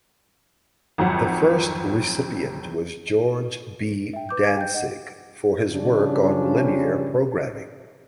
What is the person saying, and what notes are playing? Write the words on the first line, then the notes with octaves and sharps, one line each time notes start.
The first recipient was George B. Dantzig for his work on linear programming.
G#1 F2 F#3 F#5
E5 G5
B4 D6 G6
F5 G#5 D6 G#6
G5 G6
D#5 F#5
C#3 F3 G3 C#4 D4